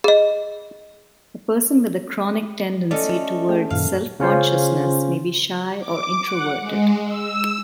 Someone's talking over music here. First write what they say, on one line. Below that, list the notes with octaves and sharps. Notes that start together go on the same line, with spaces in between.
A person with a chronic tendency toward self-consciousness may be shy or introverted.
G#4 D#5
A3 C#4 D5 D#5
A3 G#4 G5
F#2 A#2 D#3 F5
C#3 C#4 F4 C5
D6
F#5
G#3
E6